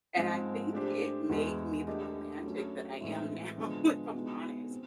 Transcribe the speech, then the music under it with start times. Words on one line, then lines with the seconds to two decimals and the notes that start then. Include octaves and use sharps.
and I think it made me the romantic that I am now, if I'm honest.
0.16 G#2 F3 G#3 C4
0.73 A3 D4 G4 C5
1.29 E2 B2 G#3
1.87 A3 D4 G4 A#4 D#5
2.43 F#3 A3 C#4
3.01 A2 E3 G#3 C4 E4
3.57 D3 F3 G#3 B3
4.14 B2 G#3 B3 D#4
4.71 C4